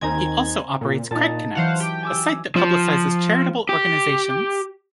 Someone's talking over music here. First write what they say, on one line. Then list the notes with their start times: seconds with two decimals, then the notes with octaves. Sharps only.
He also operates Craigconnects, a site that publicizes charitable organizations.
0.01 D#2 D#3 C4 G#5 A#5 G#6
0.81 A#2
1.11 A#2 D#4 A5
1.55 E3 F#3 C5 F5 F#5
1.80 G4 G5
2.03 G#5 D6 E6
2.56 F3
3.69 G4